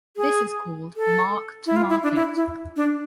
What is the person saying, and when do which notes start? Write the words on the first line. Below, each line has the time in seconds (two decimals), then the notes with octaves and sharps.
This is called "mark to market".
0.17 G#4
0.96 A4
1.66 E4
1.76 F4
1.90 E4
2.03 D4
2.16 E4
2.36 E4
2.76 D4